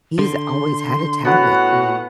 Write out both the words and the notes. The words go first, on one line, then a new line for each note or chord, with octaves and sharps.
he's always had a tablet, and
D3 C6
A2 B3 C#4 F#4 F#5